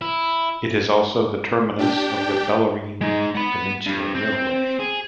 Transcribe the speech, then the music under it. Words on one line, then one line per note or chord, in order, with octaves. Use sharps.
It is also the terminus of the Bellarine Peninsula Railway.
E4
D4 G4 G5
G#3 D#4
F#5 B5
G2
C4
G#4